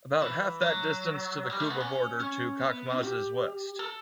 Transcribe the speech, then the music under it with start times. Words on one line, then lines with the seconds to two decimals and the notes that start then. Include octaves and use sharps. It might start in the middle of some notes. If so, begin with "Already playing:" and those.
About half that distance to the Quba border to Khachmaz's west.
0.22 E3
0.61 F#3
1.50 G3
1.60 A3
1.70 B3
1.80 C#4
2.20 C#4
2.60 B3
3.00 G4
3.79 A4